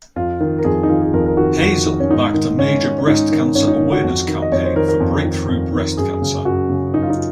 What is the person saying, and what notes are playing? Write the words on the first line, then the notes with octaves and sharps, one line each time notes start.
Hazell backed a major breast cancer awareness campaign for Breakthrough Breast Cancer.
F2 F4
D#3
A#4
F2 G#4
D#4
D#3 F4
G#4
F2 A#4
A#4
D#3 F#4
F2 F#4
D#3
C#4
G#2 D#4
D#3
G#2 C#4
D#3
C#4
G#2 D#4
D#3
G#2 C#4
D#4
D#3
F#4
F2
D#3
D#5
F2 C#5
C5
D#3 A#4
A#4
F2
D#3
F2
D#3
F#2 G#4
C#3
F#2 F#4
C#3
F#2 D#4
F4
D#4